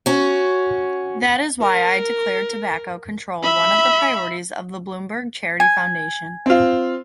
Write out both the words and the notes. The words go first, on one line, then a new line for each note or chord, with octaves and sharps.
That is why I declared tobacco control one of the priorities of the Bloomberg charity foundation.
C#4 F#4
A#4
E5 B5
G#5
C4 F4